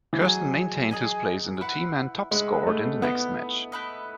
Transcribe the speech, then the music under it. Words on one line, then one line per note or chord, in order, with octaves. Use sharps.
Kirsten maintained his place in the team and top scored in the next match.
E3
F#3 G#4 D#5 G#5
G#4 D#5 G#5
E4 B4 F#5
G#3 E4 B4 F#5
A3
A3 B3 E4 B4 D#5
A3 E4 B4 D#5